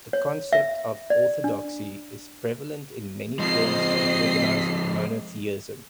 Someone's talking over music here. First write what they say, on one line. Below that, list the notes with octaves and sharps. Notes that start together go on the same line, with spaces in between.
The concept of orthodoxy is prevalent in many forms of organized monotheism.
C#5
E5
D5
D4
F3 G#3 C4 D#5 C7